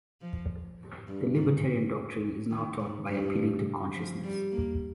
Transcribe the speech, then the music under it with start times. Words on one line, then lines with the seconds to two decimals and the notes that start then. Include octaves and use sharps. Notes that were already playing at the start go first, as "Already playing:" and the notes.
The libertarian doctrine is now taught by appealing to consciousness.
0.21 F3
1.08 G2
1.36 G#2
2.51 D#3
2.80 G#2
3.08 G2
3.95 F3
4.24 G3
4.52 A#3